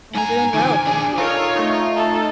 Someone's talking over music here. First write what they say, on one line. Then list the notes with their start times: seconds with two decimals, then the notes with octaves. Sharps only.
I'm doing well. Thank you.
0.15 G#2 G#5 A#5
0.54 D#3 F3 D6
0.87 D4 G#4
1.18 D#4 F4 A4 A#4 C#5
1.56 A3 D#4
1.96 A4